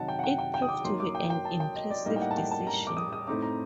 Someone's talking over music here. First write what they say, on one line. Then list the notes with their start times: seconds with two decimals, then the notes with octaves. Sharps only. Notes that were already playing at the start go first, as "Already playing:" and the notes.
It proved to be an impressive decision.
Already playing: C3 D#3 F#3 D#5 F#5 A5
0.08 G5
0.19 F#5
0.24 G5
0.39 G5
0.54 G5
0.62 D#6
0.69 D6
0.85 F#3 A#3 D#4 C6
1.00 D6
1.15 G5
1.30 G5
1.45 A5
1.60 G5
1.76 D#5
1.91 D5
2.06 A2 G3 A#3 D#4 D#5
2.16 G5
2.21 F#5
2.31 A5
2.37 G5
2.51 A5
2.67 A#5
2.87 D6
2.97 D#6
3.13 D#6
3.27 A2 A3 C4 D#4 D6
3.42 A#5